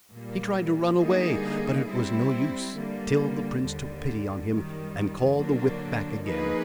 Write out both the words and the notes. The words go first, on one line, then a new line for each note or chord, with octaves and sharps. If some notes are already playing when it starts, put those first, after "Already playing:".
He tried to run away; but it was no use; till the prince took pity on him, and called the whip back again.
A#2 G3 A#3
D3 G3 A#3 D#4 G#4
G3 C4 E4
D3 G3 A#3
D#2 D3 G3
F#2 D#3 G3
D3 F#3 A#3 D4
F3 A#3 D#4 G#4 B4